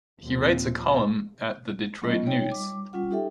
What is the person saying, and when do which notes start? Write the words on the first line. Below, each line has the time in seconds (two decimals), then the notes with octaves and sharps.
He writes a column at "The Detroit News".
0.22 D#2 A#2 F3 C4
2.02 F#3 A3 B3 C#4 F4 D#5
2.26 D#4 C#5 G5
2.52 G3 D6
2.93 G3 C#4 F4 F#5
3.11 D#4 G4 A4 E5 G5